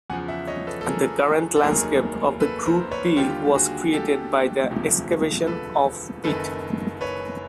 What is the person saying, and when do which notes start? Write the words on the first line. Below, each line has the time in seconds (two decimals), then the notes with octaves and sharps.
The current landscape of the Groote Peel was created by the excavation of peat.
0.10 E2 C#3 F3 F#5 G#5
0.28 E5 F#5
0.47 C#5 D#5
0.67 A4 B4
0.81 A4
0.86 G#4 A#4
1.56 A4
1.63 F1 D#2 D#3 F#3 G#4 A#4
2.40 A4 B4
2.66 A#4 C5
2.91 B4 C#5
3.17 D#2 D3 G3 F4 G4
3.55 F#4 G#4
3.93 G4 A4
4.70 E1 D2 C3 F3
5.47 A4 B4
6.24 F#1 F#2 D#3 A4 B4
7.01 B4 C#5